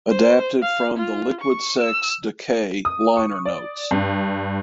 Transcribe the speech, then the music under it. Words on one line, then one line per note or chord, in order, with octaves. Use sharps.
Adapted from the "Liquid Sex Decay" liner notes.
C5
F5
F4
C#6
E6
D#6
C#6
D5
G2